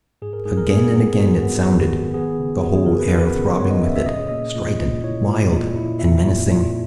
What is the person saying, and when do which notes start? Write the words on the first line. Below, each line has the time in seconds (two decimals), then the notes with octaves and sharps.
Again and again it sounded, the whole air throbbing with it, strident, wild, and menacing.
0.22 G#2 G#4
0.33 A#4
0.45 G#2 G#4
0.57 A#4
0.70 B3 G#4
0.94 B3
1.18 G#2 F#4
1.43 B3
1.66 B3
1.90 D#3
2.14 B3 G#4
2.39 C#3
2.63 B3 F#4
2.75 G#4
2.86 C#3 A#4
2.99 B4
3.08 B3 A#4
3.19 B4
3.35 C#3
3.59 B3 C#5
3.70 D#5
3.83 C#3 E5
3.96 E5
4.06 A#2 D#5
4.18 C#5
4.28 A#3 D#5
4.55 A#2
4.79 A#2
5.03 E4 C#5
5.27 A#2
5.52 A#2
5.76 E4
5.99 A#2 E5
6.24 A#2
6.48 A#2